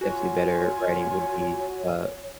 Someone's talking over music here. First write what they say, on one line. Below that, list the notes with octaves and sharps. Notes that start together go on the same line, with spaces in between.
definitely better writing would be, uh,
F4 F#4 C#5 G#5